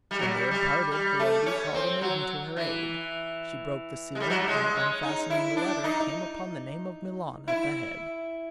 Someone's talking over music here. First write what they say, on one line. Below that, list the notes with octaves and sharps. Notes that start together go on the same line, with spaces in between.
When they had parted the lady called a maiden to her aid. She broke the seal, and unfastening the letter, came upon the name of Milon at the head.
G3
F#3
G3
G3
G3
A3
C#4
C4
F#3
E3
G#3
G3
F#3
G3
G#3
C#4
D#4
E4
D4
D#4
E4